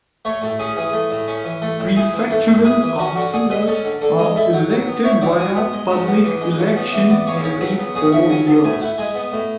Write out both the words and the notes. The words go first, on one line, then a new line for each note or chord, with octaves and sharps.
Prefectural councillors are elected via public election every four years.
A3 C#5
A2 A4
C#4 G#4
E3 G#4
A3
A2
C#4
E3
A3 A4
A2
E4 G#4
E3
A3 A4
A2
E4 G#4
E3
C#4 F#4
D3 F#4
D3 G#4
G#3 B4
C#4 A4
D3
D3 A4
G#3
E4 A4
F#3
F#3
B3
E4 C#5
F#3 D5
F#3 G#5
B3 F#5
G#3
C#3
B3
E3
G#3
C#3
B3
E3
B3 D5
C#3 C#5
C#3 C#5
F#3 B4
B3
C#3 G#4
C#3 E5
F#3 G#5
B3 A5
A2 G#5
E4 F#5
G#3 G#5
B3
A2